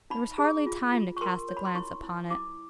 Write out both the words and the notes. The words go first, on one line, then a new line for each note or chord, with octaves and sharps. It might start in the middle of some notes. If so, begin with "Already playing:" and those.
There was hardly time to cast a glance upon it.
D#4 B5
G#4
F4
F4
C#6
A#4 C6
C#5
B5
C6
E4 C#6
E4
E4 D6